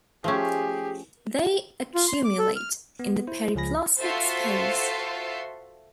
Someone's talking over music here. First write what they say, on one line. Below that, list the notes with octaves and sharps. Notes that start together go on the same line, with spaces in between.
They accumulate in the periplasmic space.
F3 A3 C#4 G4 G#4
F4
C6
D6
A4
F6
B3
E4 C5
C#2 F3 G#4 G#5 B5 A#6
F4 F#4 A4 C5 E5 C6